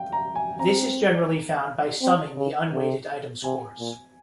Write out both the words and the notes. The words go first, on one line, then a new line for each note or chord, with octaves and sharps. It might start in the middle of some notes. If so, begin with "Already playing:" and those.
This is generally found by summing the un-weighted item scores.
Already playing: F5 G5
A#5
G#5
C4 A#5
C4
C#3
C3
C3 G#5
A#2